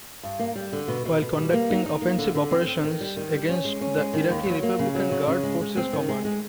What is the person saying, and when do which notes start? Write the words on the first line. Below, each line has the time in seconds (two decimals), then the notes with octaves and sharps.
While conducting offensive operations against the Iraqi Republican Guard Forces Command.
0.23 G2
0.39 A#3
0.56 G3
0.73 D3
0.88 B2
1.05 B2
1.21 B2
1.37 G3
1.53 A#3
1.70 D#4
1.86 D#4
2.02 A#3
2.18 D3
2.35 D3
2.51 C4
2.67 C4
2.84 D#3
3.01 G3
3.17 D#3
3.32 G3
3.49 C#4
3.65 G#3
3.81 C#4
3.98 G#3
4.14 D#3
4.30 D#2
4.46 F#3
4.63 A#3
4.79 C#3
4.95 F#3
5.11 C#3
5.27 C#3
5.43 G#3
5.60 G#3
5.77 C4
5.93 D#3
6.08 G#3
6.25 G#3